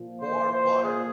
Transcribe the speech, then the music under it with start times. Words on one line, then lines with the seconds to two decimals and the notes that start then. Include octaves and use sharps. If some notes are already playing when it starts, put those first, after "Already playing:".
More water!
Already playing: A#2 F3
0.20 C5
0.51 C5
0.82 G#4